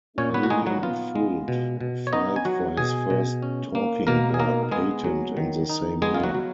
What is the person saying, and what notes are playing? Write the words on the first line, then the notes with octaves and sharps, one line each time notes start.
William Fuld filed for his first talking board patent in the same year.
A#2 C#4 C#5
B3 B4
F#4
G#3 D#4 G#4
F#3 F#4
B3 F4
G#3
B2
B2
C#5
B3 D#4 D#5
G#5
F#3 F#4 F#5
B2 G#4 G#5
B2
C#4
A#3
B2 A#3 A#4
G#4
A#3 D#4 A#4
G#3 B3 G#4
F#3
D#3
D#4
G#3 B3 G#4
F4
F#3 F#4
F#3